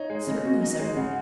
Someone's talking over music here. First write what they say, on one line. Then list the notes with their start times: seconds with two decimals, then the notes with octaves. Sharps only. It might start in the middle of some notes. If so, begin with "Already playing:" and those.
"Certainly, sir."
Already playing: D#4 C#5
0.10 G#3
0.27 C#3 D#5
0.45 F#4
0.62 D#4
0.79 G#3 C#5
0.88 D#5
0.96 C#3 F#5